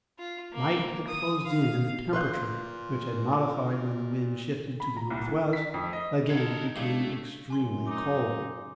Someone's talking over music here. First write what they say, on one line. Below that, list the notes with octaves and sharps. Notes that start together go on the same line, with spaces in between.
Night had closed in, and the temperature, which had modified when the wind shifted to the northwest, again became extremely cold.
F4
A#3
D#6
F5
A#2 B4 F5 C6 F#6 G6
B5
A#5
C2
E3
B6
F2
D#5
D#4 A4 A#4 F#5 G#6
G#3 A3 D4 E4 G4 F5
F#2 G#5 C6 G7
D#4 D6